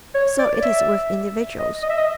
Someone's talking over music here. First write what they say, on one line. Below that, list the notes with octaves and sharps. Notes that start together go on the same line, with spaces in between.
So it is with individuals.
C#5
D5
E5
D#5
D#5
E5
D#5